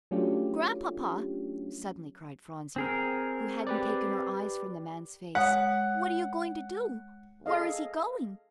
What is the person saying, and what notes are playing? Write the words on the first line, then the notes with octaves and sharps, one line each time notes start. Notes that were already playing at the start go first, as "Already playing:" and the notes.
"Grandpapa," suddenly cried Phronsie, who hadn't taken her eyes from the man's face, "what are you going to do--where is he going?"
F#3 A3 C#4 D4 F4 G4
C4 G#4 A#4
G4 B4 D5
G#3 C#5 F#5 D#6
G#4 A4 D#5 F5